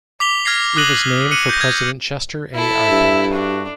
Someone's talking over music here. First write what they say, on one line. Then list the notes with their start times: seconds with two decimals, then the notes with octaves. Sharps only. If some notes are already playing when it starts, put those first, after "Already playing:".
It was named for President Chester A. Arthur.
0.20 D6 B6 F7 G7
0.45 F6 G#6 A#6 C7
0.76 D6 D#6 F#6 A#6 D#7 F#7
1.31 F#6 C#7 D#7 F#7
1.49 G6 A#6
1.61 G#6
2.55 E4 A4 E5
2.90 G2
3.33 D4 F#4